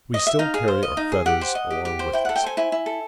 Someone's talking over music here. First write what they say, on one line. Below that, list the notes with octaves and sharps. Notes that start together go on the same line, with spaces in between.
We still carry our fetters along with us.
D#5
E5
D#4 F5
G#4
C5
D#5
D#4
G#4
G4 F#5
C5
D#5
G4
G4
C5
E4 G5
A4 F#5
G5
C5 G#5
E4 G#5
E4
A4